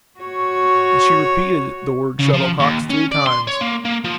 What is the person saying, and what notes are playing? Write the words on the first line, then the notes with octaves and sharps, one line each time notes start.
And she repeated the word "shuttlecocks" three times.
F#4 C#5
C#3
F3
D#2
C#4
D5
C6
C#5
A#3
A#3
F3